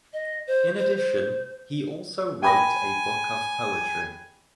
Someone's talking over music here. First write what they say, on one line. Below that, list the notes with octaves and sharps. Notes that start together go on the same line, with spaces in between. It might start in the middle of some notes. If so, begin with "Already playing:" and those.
In addition, he also wrote a book of poetry.
D#5
C5
C5
C5
G5 G#5 B5 A#6